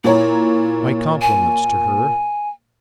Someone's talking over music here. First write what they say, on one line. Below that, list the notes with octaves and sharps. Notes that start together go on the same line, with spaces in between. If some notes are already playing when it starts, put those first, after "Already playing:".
'My compliments to her.
A#2 E4 C#5 A#5
G#5